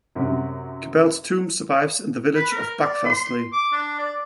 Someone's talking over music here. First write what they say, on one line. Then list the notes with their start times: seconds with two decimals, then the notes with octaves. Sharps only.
Cabell's tomb survives in the village of Buckfastleigh.
0.15 F#2 C3
2.36 B4
2.51 A#4
2.82 D5
3.05 C6
3.53 D6
3.73 D4
3.99 D5